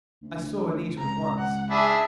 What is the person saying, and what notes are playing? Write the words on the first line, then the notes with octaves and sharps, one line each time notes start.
I saw Anita at once.
D2
C#2 A#5
F#5
D4 E4 G#4 E5